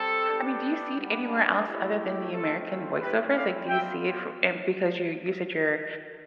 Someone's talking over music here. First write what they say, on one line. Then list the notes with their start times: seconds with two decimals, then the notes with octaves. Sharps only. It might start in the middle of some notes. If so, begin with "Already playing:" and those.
I mean, do you see it anywhere else other than the American voiceovers? Like, do you see it for and because you you said you're
Already playing: G3 C4 A4
0.29 B3 D4 G4
0.97 G3 B3 D4
1.65 A3 E4 G4
2.32 A3 C4 F4 A4
3.01 A3 C4 E4 G4 B4
3.35 D5 F5
3.68 G3 B3 F4 E5 G5